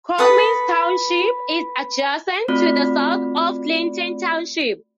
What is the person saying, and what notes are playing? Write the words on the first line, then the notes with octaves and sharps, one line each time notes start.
Comins Township is adjacent to the south of Clinton Township.
A4 B4 A5 D#6
A3 C4 F4 F#4 D5 B5